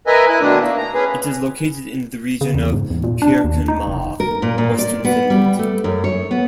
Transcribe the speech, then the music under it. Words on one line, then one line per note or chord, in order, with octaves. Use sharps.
It is located in the region of Pirkanmaa, Western Finland.
A#4 B4 D#5 E5 G#5
E4 F#6
B2 D3 D#3 A3 D4
A#3
A#5
C#4 G#4 B4
C#3
E2
G#2
E2
A#2
D4
D#2
D#4
F1
A#4
A#2
A#2
D5
B3
G3
A3
F#2
C#5
B3